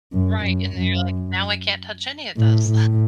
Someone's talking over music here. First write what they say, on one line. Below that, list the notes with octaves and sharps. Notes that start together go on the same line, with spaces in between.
Right, and then you're like, "Now I can't touch any of those."
F#2
F#2
F#2
A2
A2